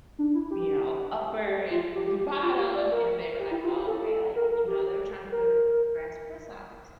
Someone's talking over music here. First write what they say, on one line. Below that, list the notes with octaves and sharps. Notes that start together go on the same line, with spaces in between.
you know, upper and fuller bottom and they were like, "Oh, okay," like, you know, they were trying to put her as plus size,
D4
E4
G4
G4
F4
G4
G4
G4
G4
F4
G4
D5
A#4
G4
E4
F4
G4
A4
A#4
A#4
G4
A#4